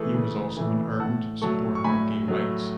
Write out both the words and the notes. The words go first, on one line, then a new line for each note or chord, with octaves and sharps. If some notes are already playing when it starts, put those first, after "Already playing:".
He was also an ardent supporter of gay rights.
Already playing: E3 A3 G#4 A4 B4
C#3
E3 A3
A2 F#5 A5
F#3 A3 A5 C#6
C#6
A2 G#5 B5
F#3 A3